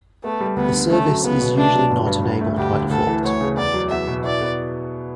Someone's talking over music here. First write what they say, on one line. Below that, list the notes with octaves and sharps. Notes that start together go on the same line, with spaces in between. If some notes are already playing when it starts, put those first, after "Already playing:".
The service is usually not enabled by default.
A3 B3
G3
D2 B3
D3
A3 C#4
F#3
C#2 B3
B2
A3 D4
F#3
G1
G2
D2
A3
D2 G4
D3
D2 A4
E3
D2 C#5
C#3
E2 D5
F#3
E2 E5
B2
E4 D5
B3